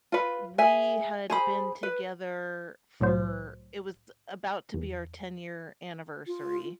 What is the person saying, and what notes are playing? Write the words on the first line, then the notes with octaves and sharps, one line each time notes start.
we had been together for it was about to be our ten-year anniversary.
F4 B4
G#4 E5 G#5
G#4 C5 B5
B4
C2 A2 F#3 C5
E2
F4